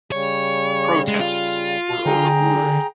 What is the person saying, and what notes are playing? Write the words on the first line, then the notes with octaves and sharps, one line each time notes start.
Protests were overruled.
C#3 G3 C#5
G#3
F4
D3 G#4 G5 A#5